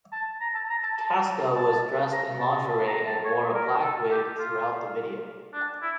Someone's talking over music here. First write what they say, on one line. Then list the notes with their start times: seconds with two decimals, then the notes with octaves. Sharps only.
Casta was dressed in lingerie and wore a black wig throughout the video.
0.12 A5
0.41 A#5
0.55 A5
0.69 A#5
0.83 A5
0.98 A5
1.55 A5
2.12 A#5
2.40 A5
2.69 A5
2.87 A#5
3.07 A5
3.25 C#5
3.54 A#4
3.82 A4
4.11 G4
4.39 F4
5.53 D4
5.82 E4